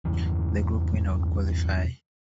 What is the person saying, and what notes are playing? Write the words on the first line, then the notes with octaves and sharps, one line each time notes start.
The group winner would qualify.
E2 G2 C#3 E3